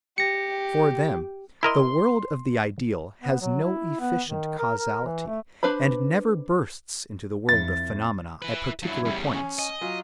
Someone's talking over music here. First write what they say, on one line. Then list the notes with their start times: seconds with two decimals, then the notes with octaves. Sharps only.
For them the world of the ideal has no efficient causality, and never bursts into the world of phenomena at particular points.
0.18 G4 A#6 C#7
1.63 E4 A#4 D#5 C6
3.22 B3
3.41 F#3
3.64 E4
3.99 B3
4.26 D#3
4.59 A#4
4.78 A#4
5.04 E3
5.27 A3
5.63 D4 B4 C5 B5
7.49 F2 E4 A6
8.42 E4 B4
8.83 G2 F#3 E4
9.05 E2 C#3 G3
9.34 C#4 G#5
9.59 D#5
9.81 F#3 F4